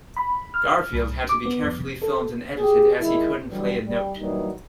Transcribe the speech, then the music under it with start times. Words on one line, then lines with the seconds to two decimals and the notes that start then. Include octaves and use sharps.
Garfield had to be carefully filmed and edited as he couldn't play a note.
0.17 B5
0.54 F6
0.92 C2
1.29 D6
1.46 B3
1.63 F2
1.79 C3
2.02 A4
2.57 G4 G#4
3.00 D#2 D#3 G#3 E4
3.48 D3 E3 F#3 G3
3.86 G3
4.19 G2 A#2 E3 F#3 G3 D#4